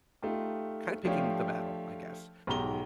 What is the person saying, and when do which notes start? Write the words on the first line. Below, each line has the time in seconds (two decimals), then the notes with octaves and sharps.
kinda picking the battle, I guess.
0.22 A3 D#4 F4 G4
1.05 F3 A3 D4 G4 C#5 F5
2.47 B1 G#2 G4 A#5 G7